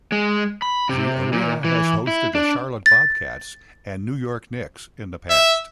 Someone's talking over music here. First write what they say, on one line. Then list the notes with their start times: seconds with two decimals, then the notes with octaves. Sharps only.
The arena has hosted the Charlotte Bobcats and New York Knicks in the past.
0.12 G#3
0.62 B5
0.89 C3
1.33 A#2
1.64 E3
2.07 E4
2.35 D4
2.86 A6
5.30 E5